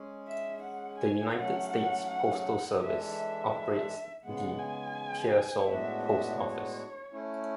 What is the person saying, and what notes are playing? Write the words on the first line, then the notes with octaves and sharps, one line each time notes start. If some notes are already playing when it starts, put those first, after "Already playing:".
The United States Postal Service operates the Pearsall Post Office.
Already playing: G#3 C#4 G#4
E5
F#5
G#5
F#3 A3 C#4 F#5
F#5
F#5
F#5
E3 G#3 D4 A4 E5
E5
C#3 G#3 B3 F#5
G#5
A2 G#3 B3 D4 F#4 E5
E5
C#5
A3 C#4 E4